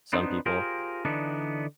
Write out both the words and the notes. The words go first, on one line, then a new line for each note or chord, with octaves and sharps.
some people.
B3 C4 D4 D#4 B4 C5
F4 G4 G#4 A#4 C5
D3 E3 B3 D4 D#4